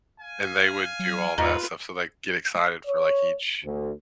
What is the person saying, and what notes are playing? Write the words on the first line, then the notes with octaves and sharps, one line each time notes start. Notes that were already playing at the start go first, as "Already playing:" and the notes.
And they would do all that stuff, so, like, get excited for, like, each
F5 G#5
F#3
E2 G#2 F4 B4
C#5
D2